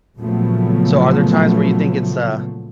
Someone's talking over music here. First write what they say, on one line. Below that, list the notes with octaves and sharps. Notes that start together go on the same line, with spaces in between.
So are there times where you think it's, uh
A#2 C#3 F3 F#3 A3 B3